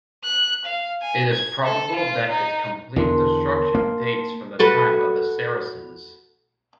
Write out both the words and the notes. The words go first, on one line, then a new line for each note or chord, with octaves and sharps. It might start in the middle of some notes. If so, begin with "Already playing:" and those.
It is probable that its complete destruction dates from the time of the Saracens.
F#6
F5
G#5
G#6
A4
F4
D#4
E2 D3 A#4 A5 C6
A#3
F#4 A4 B4